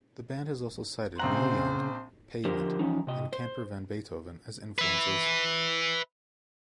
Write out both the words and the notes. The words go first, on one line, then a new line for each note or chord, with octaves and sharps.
The band has also cited Neil Young, Pavement, and Camper Van Beethoven as influences.
A#1 C#3 C4 C5 F#5 A#5
D3 F3 G4 A#4 C5
E3 F3 C#4 D#4
C3 D#5
C5
B4 E5